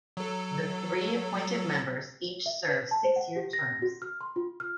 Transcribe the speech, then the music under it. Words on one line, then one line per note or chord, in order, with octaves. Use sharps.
The three appointed members each serve six-year terms.
F#3 A4
E5
B4
A5
C5
F#5
G4
A#6
F#4
F6
C6
F4
F6